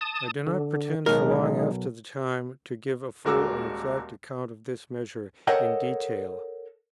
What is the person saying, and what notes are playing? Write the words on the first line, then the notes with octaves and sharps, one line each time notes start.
I do not pretend, so long after the time, to give a full or exact account of this measure in detail.
A5 D#6
D3
B1 D#3 G#3 A#4
D#1 G#3 F#4 A#4 D6 E6
A4 A#4 C#5 D#5 F#5 G5